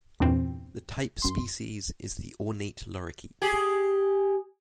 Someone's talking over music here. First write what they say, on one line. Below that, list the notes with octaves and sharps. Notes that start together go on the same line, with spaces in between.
The type species is the ornate lorikeet.
E2 G2 A#2 E3 C4
F#2 C6
G4 G#4